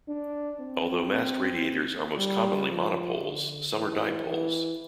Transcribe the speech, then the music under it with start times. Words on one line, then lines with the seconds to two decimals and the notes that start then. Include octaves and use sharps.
Although mast radiators are most commonly monopoles, some are dipoles.
0.09 D4
0.61 C4
2.18 G3
2.70 F3
3.22 D3
3.75 E3
4.26 E3